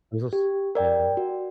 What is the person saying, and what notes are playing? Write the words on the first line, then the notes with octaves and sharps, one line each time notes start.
This was Yeah.
G4
A#4 D5 G5
F#4